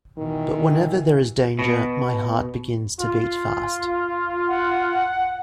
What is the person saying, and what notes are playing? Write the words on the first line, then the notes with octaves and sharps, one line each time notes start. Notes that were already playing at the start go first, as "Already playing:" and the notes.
But whenever there is danger my heart begins to beat fast.
B2 D#3 E3
B2
F4
F#5